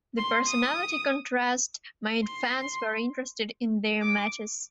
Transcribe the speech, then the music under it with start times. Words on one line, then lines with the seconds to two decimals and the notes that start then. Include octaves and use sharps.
The personality contrast made fans very interested in their matches.
0.18 C6
0.47 D#6
2.24 C6
4.02 D6